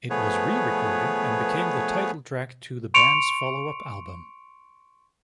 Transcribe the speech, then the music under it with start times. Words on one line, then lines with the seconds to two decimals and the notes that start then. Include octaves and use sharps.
It was re-recorded and became the title track to the band's follow-up album.
0.10 F3 A3 B3 G#4 B4 C#5
2.94 C6 C#6 C#7 D7 F7